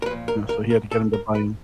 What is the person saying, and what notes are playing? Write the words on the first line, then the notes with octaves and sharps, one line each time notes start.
Yeah, so he had to get 'em to buy in.
A#4
F3 B4
A#2
A#4
A#4
A#4
A4
A#4
B4